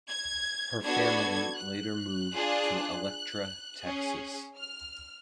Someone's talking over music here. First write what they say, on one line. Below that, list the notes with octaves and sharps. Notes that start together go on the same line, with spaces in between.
Her family later moved to Electra, Texas.
G#6
B3 D4 F#4 A4 G#6
F#6
D4 F4 G#4
C#4 G#4
F6